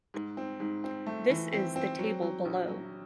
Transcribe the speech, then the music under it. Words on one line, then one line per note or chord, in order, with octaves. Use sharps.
This is the table below.
G#2
C4
G#2
C4
A3
E3
C4
C4
F#3
F#3
A#1
F#3